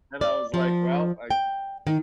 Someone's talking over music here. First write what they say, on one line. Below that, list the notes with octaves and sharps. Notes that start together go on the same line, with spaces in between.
and I was like, "Well, I g"
D5
F3
G5
D#3